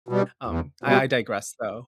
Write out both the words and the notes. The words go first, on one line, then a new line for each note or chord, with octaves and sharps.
um, I I digress, though,
B2 G3
E2
B2 G3